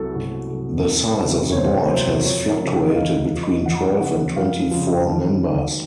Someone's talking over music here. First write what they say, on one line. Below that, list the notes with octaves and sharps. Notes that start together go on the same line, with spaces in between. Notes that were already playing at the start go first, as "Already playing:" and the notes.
The size of the board has fluctuated between twelve and twenty-four members.
Already playing: C2 C3 F#3 F#4 A4
A4
C2 F#4
C3 F#3 A4
C2 A#4
C3 F#3
C#5
C2 C5
C#5
C3 F#3 C5
F2 C#5
A#4
C#3 F3
A4
D#5
F2 F5
F5
C#3 F3
D#5
F2 F#5
F#5
C#3 F3 F#5
F2 F5
C#3 F3
D#2
D#3 F#3